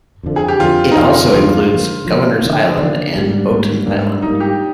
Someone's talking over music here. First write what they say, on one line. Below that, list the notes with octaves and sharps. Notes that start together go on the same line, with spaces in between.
It also includes Governors Island and Boughton Island.
F2 D3 F3
G#4
G4
F2 D3 F3 F4
D#4
F2 D3 F3 F4
F2 D3 F3 F4
D3 F3 A#3
D3 F3 A#3
D3 F3 A#3
D3 F3 A#3 D4
G#2 G3 A#3
G#2 G3 A#3
G#2 G3 A#3 D4
G#2 G3 A#3 D#4
G4